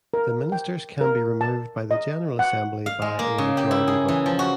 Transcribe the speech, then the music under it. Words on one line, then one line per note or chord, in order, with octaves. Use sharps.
The ministers can be removed by the General Assembly by a majority vote.
A#4
G5
A#4
A5
D#5
F#5
F5
G#3
A#3
C#3
G4
E4
G#4
E3
F3
F#4